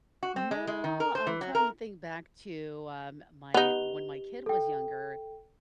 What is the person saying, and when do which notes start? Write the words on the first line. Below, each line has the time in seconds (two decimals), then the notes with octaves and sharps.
No, I'm trying to think back to, um, my when my kid was younger
0.23 F#4
0.36 C4
0.51 G#3
0.67 G#3
0.84 D#3
1.00 A#4
1.15 C5
1.27 E3
1.41 F#3
1.55 A#4
3.54 B3 D#4 G4 F7 G7
4.46 A4 G5